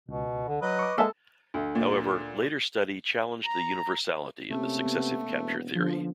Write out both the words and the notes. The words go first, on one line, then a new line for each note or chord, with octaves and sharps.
However, later study challenged the universality of the successive capture theory.
C#2 B2
D3
F#3 B4 D#5
C#6 D6
G#3 A#3 A4 E5 A5
D2
A#2
A#5
C3 A3 A#3 C#4
B3
E1
D3 F3